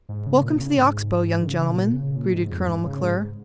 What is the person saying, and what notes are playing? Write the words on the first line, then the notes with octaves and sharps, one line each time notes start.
"Welcome to the Ox Bow, young gentlemen," greeted Colonel McClure.
G#2
C#3
A#2
A#2
C#3
G#2
D#3
C#3
A#2
C#3
A#2
G#2
F2
G#2
C#3
G#2